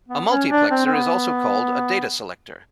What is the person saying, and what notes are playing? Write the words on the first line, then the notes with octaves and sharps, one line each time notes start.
A multiplexer is also called a data selector.
B3
C#4
D4
C4
C4
B3